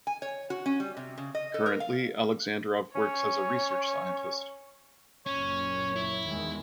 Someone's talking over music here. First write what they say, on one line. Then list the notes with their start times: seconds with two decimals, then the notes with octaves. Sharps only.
Currently Aleksandrov works as a research scientist.
0.07 G#5
0.22 C#5
0.50 F#4
0.66 C#4
0.80 G3
0.97 C3
1.18 C#3
1.35 D#5
1.54 A4
1.66 A#4
1.80 F5
2.95 C#4 C#5
5.26 F#1 A#2 C#4 C#5
5.96 E4
6.25 E2 D#3 G#3